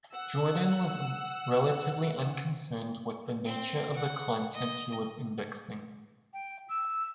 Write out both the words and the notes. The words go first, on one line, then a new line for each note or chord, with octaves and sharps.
Jordan was relatively unconcerned with the nature of the content he was indexing.
F#5 E6
C4
F#5
D#5
G5
E6